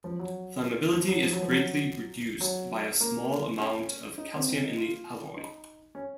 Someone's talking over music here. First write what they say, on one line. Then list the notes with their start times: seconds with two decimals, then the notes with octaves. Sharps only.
Flammability is greatly reduced by a small amount of calcium in the alloy.
0.04 F3
0.19 F#3
0.93 F3
1.08 F#3
1.23 F3
1.33 F#3
1.42 F3
1.52 F#3
2.41 F#3
3.01 A#3
3.60 C#4
4.18 D#4
4.36 C4
4.50 C#4
4.64 D#4
4.78 F4
5.37 D#4
5.95 C#4